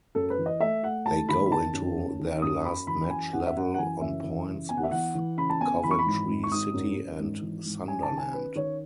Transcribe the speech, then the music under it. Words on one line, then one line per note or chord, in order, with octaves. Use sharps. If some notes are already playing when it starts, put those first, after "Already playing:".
They go into their last match level on points with Coventry City and Sunderland.
F#2 A4
B4
E3
D#5
A3 E5
A3 F#5
A3 A5
D#3 B5
B5
D#3 A5
F#2
C#4
D#3
F#2 D#6
F#2 B5
E3 B5
F#2 G#5
F#2 F#5
E5
F#2 F#5
F#5
E3 G#5
F#2 E5
E3
C#3
B3 G#5
F#5
E5
E3 F#5
E3
C#3 B5
A5
B3 G#5
E3 B5
C#6
B5
G#1
G#1
C#6
G#1 D#6
F#2
F#2
G#1
E3
G#1
C#4 G#5
A5
D#3
G#5
C#4 B4
D#3 C#5